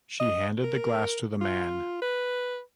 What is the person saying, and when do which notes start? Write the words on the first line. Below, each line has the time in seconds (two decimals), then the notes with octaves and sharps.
She handed the glass to the man.
0.20 D#5
0.64 A#4
1.41 F4
2.02 B4